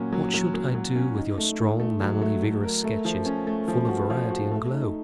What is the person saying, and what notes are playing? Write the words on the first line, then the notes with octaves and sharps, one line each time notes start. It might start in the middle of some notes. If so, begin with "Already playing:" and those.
What should I do with your strong, manly, vigorous sketches, full of variety and glow?
Already playing: A#2 F#3 C#4
F#3
F#3
F#3
F#3
C#4
D#4
A3
A3
A3
F#3
A3
A3
A#4
A3
F3
C#4
A3
F3
F#4
F3
F#4
A3
D#4